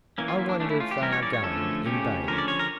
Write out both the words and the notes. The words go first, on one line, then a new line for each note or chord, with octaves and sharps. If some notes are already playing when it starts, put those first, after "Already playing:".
"I wonder if they are going in bathing."
E3 A#3 C#4
F4
E4
D4
E3 A3 C#4 D4
E4
F4
G4
E3 G3 C#4 A#4
C#5
D5
C#5
D3 F3 A3 C#4 A4
C#3 F3 A3 C#4 G4
D3 F3 C#4 A#4
D5
C#5
A#4